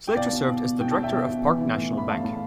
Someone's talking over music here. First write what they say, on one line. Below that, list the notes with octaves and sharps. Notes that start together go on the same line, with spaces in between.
Slayter served as Director of Park National Bank.
G5
B2 D5 F5
B2
B2
B2
B2 G5
B2 A5
E5 G5
B2
B2
E3
E3
A2
A2 B5
A2 F5 A5
A2